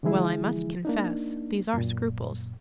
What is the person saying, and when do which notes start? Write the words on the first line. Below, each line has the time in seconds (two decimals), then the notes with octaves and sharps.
"Well, I must confess, these are scruples."
0.03 D3 E3 F3 G#3 E4 G#4
0.85 A#3 D4 D#4
1.74 F#2 A#2